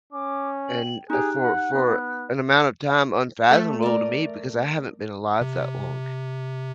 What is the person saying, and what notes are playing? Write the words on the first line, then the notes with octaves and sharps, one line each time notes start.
and, uh, for for an amount of time unfathomable to me because I haven't been alive that long,
C#4 D6
G5 F#7
D#4 G4 G#4 F#6
F#5
B3
A3
A#4 D5
C3